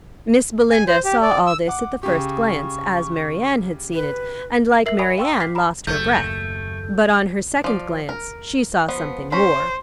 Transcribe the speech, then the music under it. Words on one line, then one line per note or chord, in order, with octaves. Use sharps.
Miss Belinda saw all this at the first glance, as Mary Anne had seen it, and, like Mary Anne, lost her breath; but, on her second glance, she saw something more.
G#5
C5
G4
D5
E6
F#5 D6
C#3 G4 C#6
B4
A#4 E5 C7 F#7
D5 G#5 B5 C#6 D#6 F7
F5 G5 C6 C#6 E6
D6 F6 B6 C7
A#5 B5
F#1 D#2 A3 G6
F3 D5
A#4
F3 B3
C#4 C5 A#5 B5